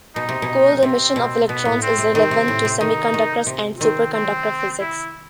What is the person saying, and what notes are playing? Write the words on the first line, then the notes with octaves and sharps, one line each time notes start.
Cold emission of electrons is relevant to semiconductors and superconductor physics.
B2 D#4
C3
B2
C3 C4
B2
B2 B3
A2
C4
C3
D#3 C4
C3
A2
C3
D#3 D#4
D#3
C3
D#3 C4
C4
E4